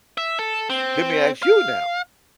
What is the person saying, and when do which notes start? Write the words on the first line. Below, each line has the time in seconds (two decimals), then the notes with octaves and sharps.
Let me ask you now.
0.18 E5
0.39 A4
0.70 C4
1.43 F5